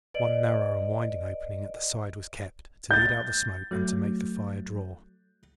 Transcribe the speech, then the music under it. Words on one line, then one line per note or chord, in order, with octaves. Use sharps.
One narrow and winding opening at the side was kept, to lead out the smoke and to make the fire draw.
B4 D5 D#5 D7 F#7
G6 A6
F#3 A3